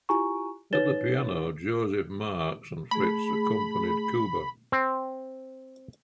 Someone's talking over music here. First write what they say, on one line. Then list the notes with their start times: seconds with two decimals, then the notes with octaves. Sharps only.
At the piano Joseph Marx and Fritz accompanied Kuba.
0.09 E4 F4 G4 G#5 A#5 C#6
0.73 D#4 B4 C#5 A6 E7 G7
2.91 A3 G#4 B5
4.72 C4